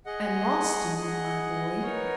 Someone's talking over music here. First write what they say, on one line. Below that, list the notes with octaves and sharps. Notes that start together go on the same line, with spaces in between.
"And lost in them, my boy."
G#4 D#5 F#5
G#4 D#5 F#5
B3 D#4 A#4 C#5